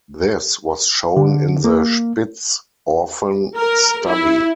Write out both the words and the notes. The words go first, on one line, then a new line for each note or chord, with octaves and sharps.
This was shown in the Spitz orphan study.
D3
A#3
A#4
E4